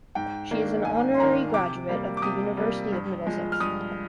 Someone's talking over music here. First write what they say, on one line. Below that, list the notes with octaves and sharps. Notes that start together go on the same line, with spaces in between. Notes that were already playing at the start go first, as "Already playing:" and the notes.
She is an honorary graduate of the University of Middlesex.
G#2 G5
D#3 A#3 D4
G#2 G#5
C6
D#3 A#3 D4 A#5
C3 D6
G3 A#3
D6
C3 D#6
G3 A#3
G2
F3 G#3
F6
G2 D#6